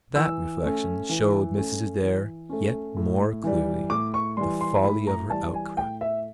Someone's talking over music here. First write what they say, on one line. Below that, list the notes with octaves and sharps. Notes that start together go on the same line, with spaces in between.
That reflection showed Mrs. Adair yet more clearly the folly of her outcry.
E3 E6
A3 C#4
E3
A3 C#4
E3
A3 C#4
A2
E3 G3
A2 D6
C#6
E3 G3 C6
C6
A2 B5
A#5
E3 G3 A5
G#5
A2 G5
E5